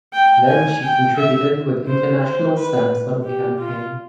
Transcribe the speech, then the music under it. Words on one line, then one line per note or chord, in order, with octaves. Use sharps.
Then she contributed with international Samsung campaign.
G5
G#5
G5
E5
C5
C5
B4
G4
F4